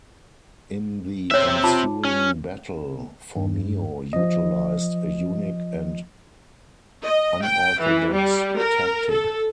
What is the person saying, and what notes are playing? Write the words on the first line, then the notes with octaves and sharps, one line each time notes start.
In the ensuing battle, Phormio utilized a unique and unorthodox tactic.
C4 C5 C#5 E5
F4 A5 D6
C#4
G2
F3 D#5
D#5
G5
E3
G3
A#4
A4